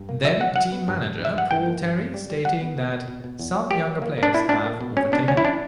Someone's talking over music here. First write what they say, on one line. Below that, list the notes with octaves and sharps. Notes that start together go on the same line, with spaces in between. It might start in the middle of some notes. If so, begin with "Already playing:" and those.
Then team manager, Paul Terry, stating that "some younger players have overtaken them".
Already playing: G2
A#3
F#3 E5
F#3 F#5
F#2 F#5
B3
G2
G2
G2
E5
G2 F#5
G2 G5
A#3
G2
G2
G3
G3
G3 F#5
B3
B2
B2
B2
B2
E2
F#3
A#3 G4
F#3
A#3
A#3 D4
A#2 E4
A#2 D4
A#3
B2
B2 C#4
B2 D4
D2 C#4
E4
D4